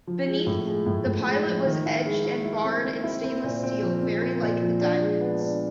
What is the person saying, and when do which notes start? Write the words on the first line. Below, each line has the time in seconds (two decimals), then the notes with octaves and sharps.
Beneath, the pilot was edged and barred in stainless steel, very like the "Diamond's".
0.07 F3
0.28 G#3
0.47 A2
0.67 G#3
0.86 A2
1.06 A2
1.27 G#3
1.45 F3
1.66 D#3
1.86 E4
2.05 G#3
2.25 E4
2.45 E4
2.64 C4
2.84 C4
3.04 E4
3.24 C4
3.43 A#2
3.63 C4
3.82 F3
4.03 C4
4.22 C4
4.42 A#2
4.61 F3
4.81 D4
5.01 G#3
5.21 B3
5.41 D4